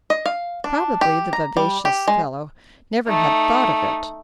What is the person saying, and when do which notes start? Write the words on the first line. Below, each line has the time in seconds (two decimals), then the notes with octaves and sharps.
Probably the vivacious fellow never had thought of it.
0.10 D#5
0.26 F5
0.64 D4
1.01 G4
1.33 A#5
1.57 G3
1.85 G4
2.08 G#3
3.08 A3 D#4